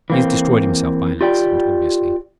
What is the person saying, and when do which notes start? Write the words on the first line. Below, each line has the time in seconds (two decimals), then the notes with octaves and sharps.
He has destroyed himself by an accident, obviously.
0.10 E3 A#3 C4
1.21 F4 G4 D5 G5